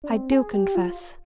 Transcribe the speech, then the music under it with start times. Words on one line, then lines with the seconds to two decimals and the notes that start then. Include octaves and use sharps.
I do confess.
0.04 D4
0.09 C4
0.31 G#4
0.53 G4
0.75 F4